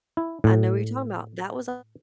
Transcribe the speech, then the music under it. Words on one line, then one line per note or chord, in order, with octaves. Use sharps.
I know what you're talking about, that was
E4
A2